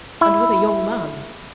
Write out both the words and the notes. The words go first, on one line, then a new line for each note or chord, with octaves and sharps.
'And with a young man?'
E4